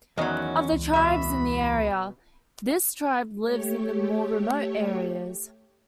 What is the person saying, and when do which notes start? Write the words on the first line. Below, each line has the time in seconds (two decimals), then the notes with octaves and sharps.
Of the tribes in the area, this tribe lives in the more remote areas.
0.18 E2 D#3 F#3 C#4 D#5
0.72 C#2
0.94 B2 E5 B5
3.43 A3 G4 C#5